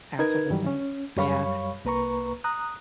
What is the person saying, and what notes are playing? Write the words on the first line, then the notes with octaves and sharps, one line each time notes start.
Absolutely. Yeah.
D#4 A#4 B4 G#6
G2 D#3 E3 F#3 G3
C#4
F#2 G3 C#5 F5 B5 C#6
C2 A#3 B4 A#5 C#6
A#5 D#6 F#6